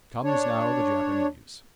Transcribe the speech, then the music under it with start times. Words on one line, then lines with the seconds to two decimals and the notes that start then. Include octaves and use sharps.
Comes now the Japanese.
0.24 D4 C#5